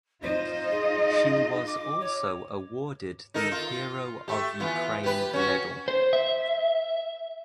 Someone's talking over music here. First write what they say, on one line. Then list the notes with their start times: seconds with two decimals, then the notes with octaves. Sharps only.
She was also awarded the Hero of Ukraine medal.
0.23 D#4 F4 C5 D#5
0.71 G#4
1.67 D6
2.00 C#5
3.34 D#4 A4 A#4
3.52 F4
4.28 A3 G4
4.60 E3 B3 F4
5.04 G4 B4
5.33 C#4 F#4
5.88 C5
6.13 E5